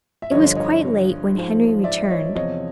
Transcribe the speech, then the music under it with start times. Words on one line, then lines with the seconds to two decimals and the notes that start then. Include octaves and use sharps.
It was quite late when Henry returned.
0.22 E5
0.31 G2 D3 F3 C#5 D#5
0.56 C#5 D#5
1.33 G#2
1.38 F3
1.84 D5 E5
2.10 C#5 D#5
2.35 E2 C3 F3 C#5 D#5